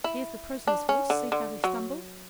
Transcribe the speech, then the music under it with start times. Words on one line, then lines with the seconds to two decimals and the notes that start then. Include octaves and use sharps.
Here's the prisoner's horse, see how he stumbled?
0.04 E4
0.67 D4
0.89 C#4
1.10 D3
1.32 D3
1.64 F#3